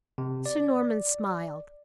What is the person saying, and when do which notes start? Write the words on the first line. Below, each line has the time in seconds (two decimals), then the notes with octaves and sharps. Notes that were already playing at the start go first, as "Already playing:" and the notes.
Sir Norman smiled.
0.18 C3
0.46 D5